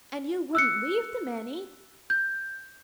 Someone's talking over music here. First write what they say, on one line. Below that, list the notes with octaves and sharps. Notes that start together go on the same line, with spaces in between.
And you wouldn't leave them any?
E6 F#6 C#7
G6